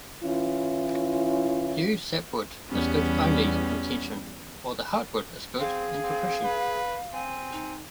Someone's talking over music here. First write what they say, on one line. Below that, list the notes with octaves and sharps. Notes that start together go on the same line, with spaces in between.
Yew sapwood is good only in tension, while the heartwood is good in compression.
E3 C#4 E4 F4
E2 G3 B3 C#4
C4 G#4 F5
C4
B4
C4 G#5
D#4